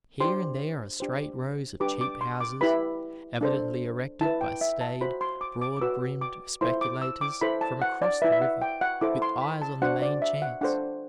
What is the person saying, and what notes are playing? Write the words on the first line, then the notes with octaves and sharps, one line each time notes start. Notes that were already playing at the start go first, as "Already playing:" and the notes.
Here and there are straight rows of cheap houses, evidently erected by staid, broad-brimmed speculators from across the river, with eyes on the main chance.
D4 G4 C5 C6
D4 G4 C5
D4 G4 B4 D6
D6
C6
D6
E4 G4 B4 B5
D4 A4 C5
E4 B4 A5
G5
E5
A5
F#4 C5 B5
C6
D6
D6
D6
F#4 B4 E6
D6
E4 A4 C5 C6
D6
E6
D6
E4 A4 C5 B5
A5
F#5
D5
E4 B4 E5
E5
F#5
G5
F#5
E4 A4 C5 D6
C6
B5
A5
D4 F#4 C5 F#5
D5
E5
F#5
D4 A4 C5 F#5